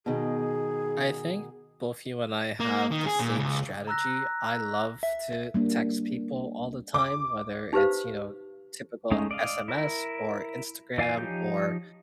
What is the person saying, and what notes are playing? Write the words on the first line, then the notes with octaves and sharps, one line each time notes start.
I think both you and I have the same strategy. I love to text people all the time, whether it's, you know, typical SMS or Instagram or
B2 D#3 G#4
A#3
D#3
G#4
A#2
C#2
A#5 E6 F#6 A#6
E5
G3 A#3 D4
D6
D#4 G4 B4 C5 F5
G#3 A3 C#4 D#4
D5 D#5 F5
E4 A#4
E3 D5 F5 G#5
F3 D#4 G4 C#5 G6